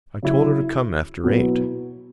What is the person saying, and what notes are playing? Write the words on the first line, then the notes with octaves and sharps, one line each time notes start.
I told her to come after eight.
C#3 F#3 E4
B2 F#3 B3 E4 B4